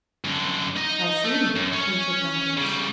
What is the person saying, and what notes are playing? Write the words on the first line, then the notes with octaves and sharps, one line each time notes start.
"I see," answered Dantes.
F#2 D3
D#4 D#5
A3
F#2
C#4 C#5
C#3 G3